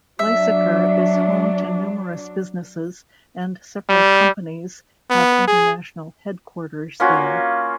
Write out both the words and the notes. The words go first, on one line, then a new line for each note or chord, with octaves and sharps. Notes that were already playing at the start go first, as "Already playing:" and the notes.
Lysaker is home to numerous businesses, and several companies have international headquarters there.
F#3 D4 E5
G3
B3
G#4
A#3 C#4 F4 F#4